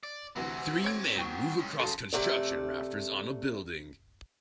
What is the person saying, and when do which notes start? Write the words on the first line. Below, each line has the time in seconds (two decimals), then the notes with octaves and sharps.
Three men move across construction rafters on a building.
0.03 D5
0.36 D2 C3 E3 C4 F#4
0.84 C#5 G#6
1.16 C2 G5 C#6
1.59 G#3 C#4
1.79 C#3 F#3 A4 C6
2.13 C3 A3 D5